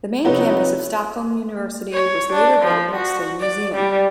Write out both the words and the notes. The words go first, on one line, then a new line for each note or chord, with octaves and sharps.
The main campus of Stockholm University was later built next to the museum.
F2 C3 B3 D#4 C#5
C#5
D4
F3
F#4
D5
G3